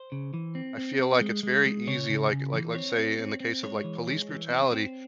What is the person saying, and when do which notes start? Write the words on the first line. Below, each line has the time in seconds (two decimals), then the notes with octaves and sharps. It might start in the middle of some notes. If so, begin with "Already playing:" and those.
I feel like it's very easy, like like, let's say in the case of like police brutality
Already playing: C5
0.12 C#3
0.34 E3
0.55 C4
0.78 C4
0.99 C4
1.21 G#3
1.43 G#3
1.66 G#3
1.87 C#3 C#5
2.09 C#3
2.31 C#3
2.54 E3
2.75 C4 C#5
2.97 C4
3.19 C4
3.40 C4
3.63 G#3 C#5
3.84 E3
4.07 G#3
4.29 E3
4.50 C4
4.72 C4